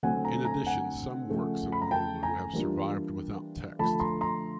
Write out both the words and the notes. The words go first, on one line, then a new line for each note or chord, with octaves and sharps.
In addition some works of Moulu have survived without text.
D3 F#3 A3 C4 F#5 G#5
G#5 A#5
G#5 A#5
F#5 G#5
C#3 F3 A3
B5
A#5
G5 A5
G#5 A#5
E3 G3 A#3 D4 F4
D3 F3 A3 A5 B5
A#5 C6
A#5 C6